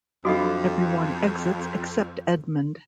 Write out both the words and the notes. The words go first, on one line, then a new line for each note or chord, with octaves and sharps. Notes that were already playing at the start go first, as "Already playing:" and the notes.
Everyone exits except Edmond.
F2 F#3 D4 F#4 A4 D#5 F5 D6